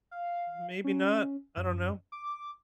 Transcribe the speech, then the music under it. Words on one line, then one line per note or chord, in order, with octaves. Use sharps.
Maybe not. I don't know."
F5
C#4
F#2
D6